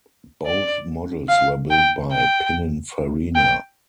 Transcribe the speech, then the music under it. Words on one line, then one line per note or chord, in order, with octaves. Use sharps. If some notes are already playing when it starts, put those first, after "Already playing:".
Both models were built by Pininfarina.
D5
F5
G5
G5
G5